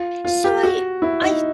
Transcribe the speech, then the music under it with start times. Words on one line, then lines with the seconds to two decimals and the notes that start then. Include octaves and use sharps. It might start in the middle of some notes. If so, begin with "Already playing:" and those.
so, I I
Already playing: F4
0.25 F4
0.44 G4
0.63 F#4
1.02 E4
1.22 D#4